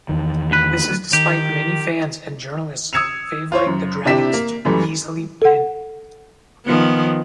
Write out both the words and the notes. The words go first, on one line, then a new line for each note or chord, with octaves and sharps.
This is despite many fans and journalists favouring the Dragons to easily win.
E2 D#3
D2 B4
D#3 G4
D#6 E6 G#6 C#7 E7 F7
F4 C5 C#5
F#2
C3 D4 E4 G4 B6 E7
A#3
F#2 E3 G3 A3
A4 F#5
D#3 F3 B3